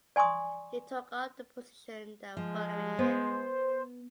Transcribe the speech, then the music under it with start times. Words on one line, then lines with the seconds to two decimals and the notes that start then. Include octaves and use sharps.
He took up the position the following year.
0.16 D5 G#5 C6 C#6 D#6
2.37 F3 G#3
2.99 B3 C5